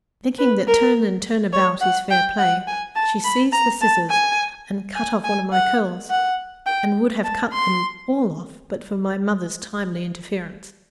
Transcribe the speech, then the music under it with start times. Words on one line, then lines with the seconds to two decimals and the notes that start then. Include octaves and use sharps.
Thinking that turn and turn about is fair play, she seized the scissors and cut off one of my curls, and would have cut them all off but for my mother's timely interference.
0.39 B4
0.67 A#4
1.53 C#5
1.81 F#5
2.10 G5
2.39 F#5
2.67 G#5
2.96 A5
3.24 B5
3.52 A#5
3.82 A5
4.10 G#5
4.96 G#5
5.24 G#5
5.53 F#5
6.10 F#5
6.66 G5
7.24 A5
7.53 C6